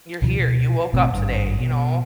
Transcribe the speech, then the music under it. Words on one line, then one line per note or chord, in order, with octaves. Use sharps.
you're here, you woke up today, you know?
C#2 B2 D#3 F3
B2
G#1 B2 A3 C4
G#1 G2
B2